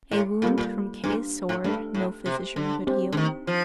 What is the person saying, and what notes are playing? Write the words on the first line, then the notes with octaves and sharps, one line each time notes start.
A wound from Kay's sword no physician could heal.
A2
A#2 G3 A#3 F4 A4
A#2
G2
A2
G2 A3 D4 A4
A2
C3
D3
C4 G4 C5
D3
D#3
F3